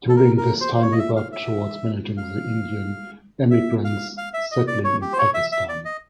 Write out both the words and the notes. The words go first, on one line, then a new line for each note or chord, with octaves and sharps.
During this time, he worked towards managing the Indian emigrants settling in Pakistan.
A4
A#4
A#4
C5
C5
C#5
D#5
E5
F5
E5
F5
E5
F5
F5
E5
D#5
D5
C#5
G4
C5
C#5
E5
E5
D5
D#5